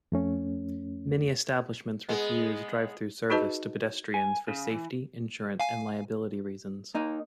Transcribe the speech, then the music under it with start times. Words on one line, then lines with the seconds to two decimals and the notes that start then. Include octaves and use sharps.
Many establishments refuse drive-through service to pedestrians for safety, insurance, and liability reasons.
0.12 F2 A3 C#4
2.09 G#3 B3
3.30 D#4 F#4 G#4 B4 D#5 A5
4.14 G#5
4.48 C#3
4.70 E3
5.60 F5 G#5
6.95 A#3 D#4 D#5